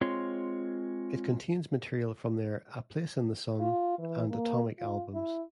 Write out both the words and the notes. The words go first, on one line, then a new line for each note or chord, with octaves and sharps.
It contains material from their "A Place in the Sun" and "Atomic" albums.
G#3 C4 F4 C#5 C6
F4
E3
A#3
F4
E4